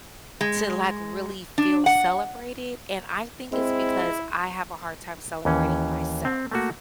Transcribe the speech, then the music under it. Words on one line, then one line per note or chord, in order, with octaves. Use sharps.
to, like, really feel celebrated? And I think it's because I have a hard time celebrating myself.
G#3
D4
F#5
G#3 C4 E4
D#2 E3 C#4
C4
A3 A#3 F#4